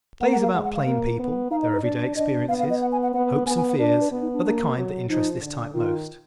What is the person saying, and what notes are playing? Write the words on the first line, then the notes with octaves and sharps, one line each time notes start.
Plays about plain people, their everyday experiences, hopes and fears are the kind that interest this type most.
A#3 F#5
F#5
F5
G#3 F#5
F#5
F5
A#3
B3
D#4 F5
D#5
B4
D4 D5
D4 D#5
B3 F5
F5
D#5
F#5
G#5
F#5
B3 F#5
B3 G#5
G#5
F#5
D4 A#4
D5
B4
B3
D#4
D4
A#3
F#3
F3 D#4
D3
D#3 F4